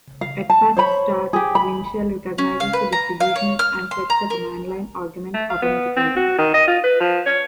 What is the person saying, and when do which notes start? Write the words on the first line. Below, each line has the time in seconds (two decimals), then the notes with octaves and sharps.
At first start, WinShell recognizes the distribution and sets the command-line arguments automatically.
0.21 F5
0.50 A5
0.77 C5 C#5 B5
1.33 G4 G#4
1.55 B5
2.38 C#4
2.60 F5
2.73 B4
2.92 A#5
3.20 F5
3.36 C#5
3.59 F6
3.91 C6
4.10 A#5
4.30 A#4
5.34 A3
5.50 F5
5.62 B3
5.97 C4
6.16 F#4
6.38 D#3
6.54 D#5
6.68 F4
6.84 B4
7.00 F3
7.26 C#5